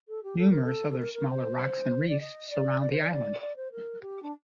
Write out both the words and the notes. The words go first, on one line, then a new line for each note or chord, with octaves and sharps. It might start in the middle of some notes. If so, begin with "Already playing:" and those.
Numerous other smaller rocks and reefs surround the island.
A4
G4
A4
A#4
A4
A4
A#4
A#4
C5
D5
D#5
D5
D5
C5
D5
D5
D5
C5
A#4
G4
D4